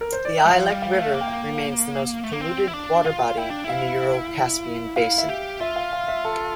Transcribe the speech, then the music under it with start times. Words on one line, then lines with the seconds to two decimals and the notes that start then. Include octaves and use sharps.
The Ilek River remains the most polluted water body in the Ural-Caspian basin.
0.01 A#4
0.13 C5
0.25 D5
0.38 E5
0.46 G3
0.50 F3 F5
0.66 F5
0.72 G3
0.82 F5
0.93 A3 F5
1.13 A#3 F5
1.21 G5
1.28 F5
2.24 A3
2.33 A#3
2.41 C4
2.68 E4
2.73 D4
3.05 F4 F5
3.37 E4 G5
3.50 D4
3.64 E4
3.69 F5
4.96 E4 F5
5.18 E5
5.29 G4
5.60 F4 E5
5.76 F5
5.93 F5
6.08 E5
6.25 A4